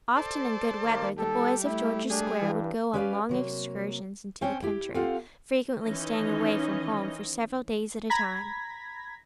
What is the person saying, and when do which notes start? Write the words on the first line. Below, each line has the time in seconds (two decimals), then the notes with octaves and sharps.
Often in good weather the boys of George's Square would go on long excursions into the country, frequently staying away from home for several days at a time.
0.16 A4 C5 D5
0.85 D#2 A#3
1.18 G3 A4
1.64 A3 E4
2.10 G3 G#3 D4 G#4
2.41 G2 E3
2.93 C#4 G4 B4 D5 E5 F5
3.29 C3 F#3 A#3
4.41 C4 C#4 C5 C#5 G5
4.62 E4 G4
4.95 C4 F4 G4 A4 F5 F#5
5.84 D#3 E3 C#4 D#4 D#5
8.10 A#5 B5 G#6 A#6 B6